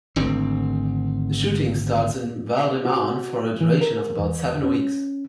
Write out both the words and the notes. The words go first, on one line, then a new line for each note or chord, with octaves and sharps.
The shooting starts in Val-de-Marne for a duration of about seven weeks.
G#1 D2 C4
F#4
E3
A#4
E2
C#4